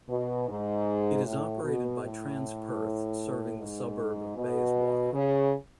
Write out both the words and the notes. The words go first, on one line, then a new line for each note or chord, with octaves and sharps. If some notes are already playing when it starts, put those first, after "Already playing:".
It is operated by Transperth serving the suburb of Bayswater.
B2
G#2
A2
B2
A2
G#2
B2
C#3